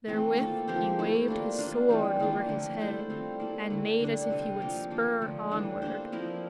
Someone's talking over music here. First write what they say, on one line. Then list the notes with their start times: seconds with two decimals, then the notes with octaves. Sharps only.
Therewith he waved his sword over his head, and made as if he would spur onward.
0.07 E3 A3 C4
0.38 A#3 F4 A4
0.68 F3 C4 G4 C5
0.99 A3 E4 A4
1.28 A#3 D4 F4 A#4
1.59 A#3 D4 F4
1.89 E3 G3 C4 G4
2.20 E3 A#3 D4 F4
2.49 D3 F3 A3
2.79 A3 E4 A4 C5
3.10 G3 C4 F4
3.40 A#3 E4 A4
3.70 D3 A3 E4
4.00 D3 G3 D4
4.30 C3 G3 C4
4.61 F3 A#3 F4 A#4
4.90 A#3 F4 A4
5.22 D3 F3 A3
5.51 E3 G3 D4
5.82 A#3 D4 A4 C5
6.12 F3 C4 E4 A#4